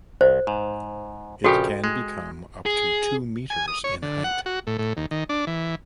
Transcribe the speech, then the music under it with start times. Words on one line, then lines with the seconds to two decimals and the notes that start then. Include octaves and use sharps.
It can become up to two metres in height.
0.21 C2 C5
0.47 G#2
1.44 A#1 C#3 F#4 G4 A4 G5
1.84 G#3
2.66 G#4
3.50 G#5
3.68 D#6
3.84 C#5
4.02 D3
4.24 F#5
4.46 F#4
4.67 A2
4.78 A2
4.97 D#2
5.11 D#3
5.29 D4
5.47 E3